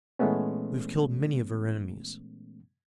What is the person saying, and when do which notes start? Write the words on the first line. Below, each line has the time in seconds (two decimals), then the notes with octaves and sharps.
We have killed many of our enemies.
0.19 A#2 E3 G#3 A3 B3 C#4